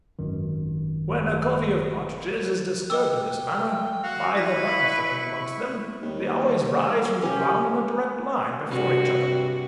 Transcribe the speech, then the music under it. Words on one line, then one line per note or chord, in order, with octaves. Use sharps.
When a covey of partridges is disturbed in this manner, by the button falling amongst them, they always rise from the ground in a direct line before each other.
G#1 F#2 D#3
D#5 G5 D6 E6
F#4 F5
E4 B4 D5 E5 C#6 A#6
B5
D#2 D#3 G3
C#4 G4
G2 C3 F#4